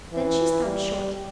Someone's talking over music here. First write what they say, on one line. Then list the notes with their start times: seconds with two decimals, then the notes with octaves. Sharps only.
Then she stopped short.
0.13 E3
0.65 G3